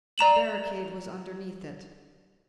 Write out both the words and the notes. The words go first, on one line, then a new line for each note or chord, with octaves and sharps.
The barricade was underneath it.
D5 A#5 E7 F#7